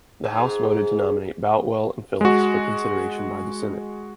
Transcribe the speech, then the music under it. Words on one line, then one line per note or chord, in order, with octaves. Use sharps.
The House voted to nominate Boutwell and Phillips for consideration by the Senate.
G#2
G#3 F#4